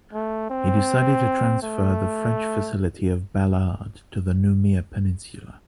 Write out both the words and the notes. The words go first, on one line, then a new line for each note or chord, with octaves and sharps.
He decided to transfer the French facility of Balade to the Noumea peninsula.
A3
C4
A3